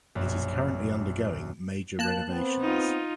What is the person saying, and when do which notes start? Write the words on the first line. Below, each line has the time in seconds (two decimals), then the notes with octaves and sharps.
It is currently undergoing major renovations.
0.15 A#1 F#2 B2
1.99 A#3 A5 F#6
2.30 B3 C4
2.61 D#4 F4